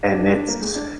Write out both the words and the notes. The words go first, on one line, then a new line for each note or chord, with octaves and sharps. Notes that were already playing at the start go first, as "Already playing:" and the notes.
and it's
D4
D#4
D4
A#3
G#3
D4